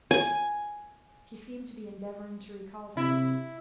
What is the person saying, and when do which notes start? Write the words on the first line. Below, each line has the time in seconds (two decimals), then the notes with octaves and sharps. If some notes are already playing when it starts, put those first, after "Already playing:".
She seemed to be endeavoring to recall something.
0.11 G#5
2.97 C3 E4